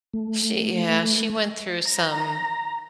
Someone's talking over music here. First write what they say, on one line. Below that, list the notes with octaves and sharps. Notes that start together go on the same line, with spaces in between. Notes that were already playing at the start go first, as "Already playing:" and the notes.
she, yeah, she went through some,
A3
A#5